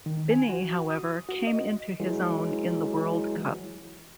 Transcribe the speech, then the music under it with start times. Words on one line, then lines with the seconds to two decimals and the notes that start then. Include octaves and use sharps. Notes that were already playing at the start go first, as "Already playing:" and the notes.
Binny however came into his own in the World Cup.
0.06 D#3
0.31 G#5
0.49 F#4
0.90 D#6
1.29 F#4
1.47 D#5
2.00 E3 F#3 G#3